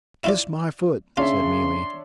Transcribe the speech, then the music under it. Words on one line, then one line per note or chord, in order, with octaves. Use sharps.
"Kiss my foot!" said Mealy.
E4 F4 D5
C#3 D4 F4 C#5 E5 C6